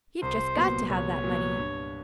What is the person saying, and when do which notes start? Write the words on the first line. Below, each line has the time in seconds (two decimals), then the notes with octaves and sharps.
We've jest got to have that money.
0.22 C2 C5
0.56 A#2 F#3 B3
0.89 C2 C#5
1.22 A#2 F#3 B3
1.56 G2